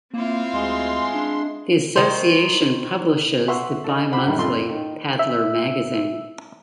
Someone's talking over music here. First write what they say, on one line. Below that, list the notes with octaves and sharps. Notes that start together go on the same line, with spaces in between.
The Association publishes the bi-monthly "Paddler Magazine".
A#3 C4 E4 F4
D2 G#3 C6
D4
D#3 C5
B4 E5 F#5 C6 C#6 E6
A4 D#5
C5 F#5 B5 D6
F#2 A2 D#3 G3
F2 F4 A4 C6
D#3
E5